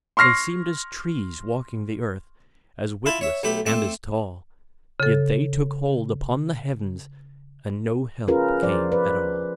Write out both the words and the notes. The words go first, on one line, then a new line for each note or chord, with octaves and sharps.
They seemed as trees walking the earth, As witless and as tall, Yet they took hold upon the heavens And no help came at all.
C6 C#6 F6 A#6 C7
E4 F4 A5 B5
C#5 E5
B1 A3 G4 B5
A3 C4 A4 D6
C#3 A4
C#4 F4 G#4 A#4 B4
F3 C5 D5
B4 D5